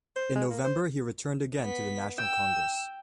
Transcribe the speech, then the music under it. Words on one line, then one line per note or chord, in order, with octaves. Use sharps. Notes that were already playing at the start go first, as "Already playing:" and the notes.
In November he returned again to the national congress.
C5
G#3
A#3
C5
B3 B6
G5 E6